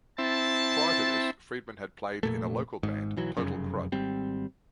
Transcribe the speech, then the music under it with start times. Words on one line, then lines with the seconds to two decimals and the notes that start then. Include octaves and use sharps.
Prior to this, Friedman had played in a local band, Total Crud.
0.18 C4 E4 A5
2.23 F1 A#2 A3
2.83 G#1 G#2
3.16 B1 E3 F#3
3.37 F1 F#2 C#3
3.92 G#1 G3 C4